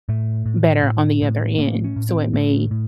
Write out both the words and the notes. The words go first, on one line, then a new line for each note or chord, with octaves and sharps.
better on the other end, so it may
A2 A3
A2
A2
A2
A2 A#3
C#4
A2
C4
A2 A3
A2